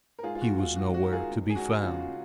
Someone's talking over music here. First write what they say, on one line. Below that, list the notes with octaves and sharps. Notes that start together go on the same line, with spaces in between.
He was nowhere to be found.
A#4
G#2 F4 G#4
F4
F#4
G#2
F4
G#2 F#4
F#4
D#3 A#4
F4 G#4
C#2
G#4
C#2 F#4
C#3 F4
F#4
C#3